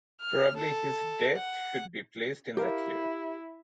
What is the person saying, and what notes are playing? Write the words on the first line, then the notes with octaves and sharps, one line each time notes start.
Probably his death should be placed in that year.
F6
A4
F#5
E4 G4 A#4 F5